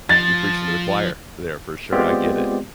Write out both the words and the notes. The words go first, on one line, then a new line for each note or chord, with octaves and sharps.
you're preaching to the choir there for sure, I get it.
F3 A6
G#3 B3 C4 F4 G4 D5